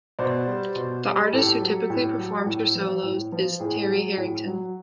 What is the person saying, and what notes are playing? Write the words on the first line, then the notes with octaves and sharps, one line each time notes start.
The artist who typically performs her solos is Terry Harrington.
B2 C5 D5
G3
B2
G3
A2 G4 A4
F#3
A2
F#3
A2
F3
A2
F3
A2 G#4
F#3
A2
F#3